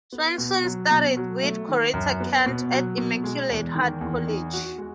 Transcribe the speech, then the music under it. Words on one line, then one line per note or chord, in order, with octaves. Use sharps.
Swanson studied with Corita Kent at Immaculate Heart College.
B3
B2
F#3
B2
F#3
A3
D#3
F#2
B3
B2
F#3
B2
G#3
E2
D#3
E2
D#4
F#4
G#3